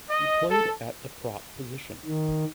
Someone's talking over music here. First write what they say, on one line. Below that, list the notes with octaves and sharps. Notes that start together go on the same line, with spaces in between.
He played at the prop position.
D#5
A4
D#3